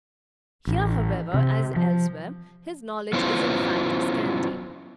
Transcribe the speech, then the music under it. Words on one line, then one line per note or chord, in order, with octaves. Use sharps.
Here, however, as elsewhere, his knowledge is in fact scanty.
A1
C3
F3
F#3 B3 C#4 E4 F4 C5